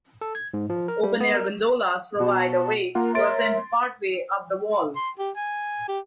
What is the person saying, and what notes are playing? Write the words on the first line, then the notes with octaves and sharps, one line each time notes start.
Open Air Gondolas provide a way to ascend partway up the wall.
A4
G#6
G#2
F3
A#4
G3
B3
A#4
B2 F#4 A5
A#3 F4 A#4 F#5 A#5
A#4 C#5 E5 C6 A6 D7
C6
G4
G#5
G4